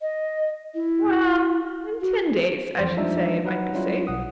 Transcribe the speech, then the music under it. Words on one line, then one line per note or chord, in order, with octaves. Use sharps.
"Well--in ten days, I should say, it might be safe."
D#5
E4
F#4
F2 E3 C5 A#6
F3 G3 G#3 D4 D#4 E5
F#3 D#4 B4 F#5
F#3 G3 C#4 E4 F4
B1 F#5 D#6